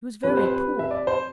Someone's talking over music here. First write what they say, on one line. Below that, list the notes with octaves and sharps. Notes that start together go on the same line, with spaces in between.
He was very poor.
F3 C4 G4 B4
C5
B4
E5
D5
C5